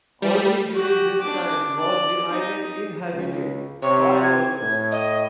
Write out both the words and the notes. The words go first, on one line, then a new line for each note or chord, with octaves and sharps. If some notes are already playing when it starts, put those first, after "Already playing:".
Only during this time was the island inhabited, by workers.
G3
F#4 G4
D4 D6
D5
D#4
C#2
C3 C#5
G#6
A2
D#5